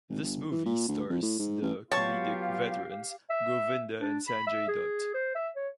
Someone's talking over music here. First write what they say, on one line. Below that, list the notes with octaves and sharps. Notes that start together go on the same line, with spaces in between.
This movie stars the comedic veterans Govinda and Sanjay Dutt.
G#1
G1
E3
A#2
D2
F2
A2
G#2
A1
F#3 B3 F4 G4 C#5 F5 A5 C#6
E5
D4
B5
E5
G#4
C5
E5
C#5